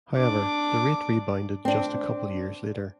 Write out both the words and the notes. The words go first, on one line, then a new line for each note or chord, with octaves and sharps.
However, the rate rebounded to just a couple years later.
D4 D6
C4 D4